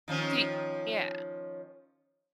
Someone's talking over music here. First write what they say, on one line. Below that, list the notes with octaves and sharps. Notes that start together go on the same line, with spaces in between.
See yeah.
D#3 F3 C#4